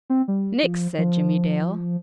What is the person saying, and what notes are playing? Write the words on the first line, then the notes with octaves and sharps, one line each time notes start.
"Nix!" said Jimmie Dale.
C4
G3
F3
F3